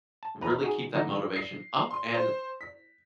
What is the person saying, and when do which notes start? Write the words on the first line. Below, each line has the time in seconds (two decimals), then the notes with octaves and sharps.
really keep that motivation up and
0.23 A5
0.41 E2 B4 A#5
0.62 D#4 F#4 G#4
0.93 D3 E3 F#3 D#4 F#4
1.36 C7
1.91 C6
2.14 C5
2.61 B6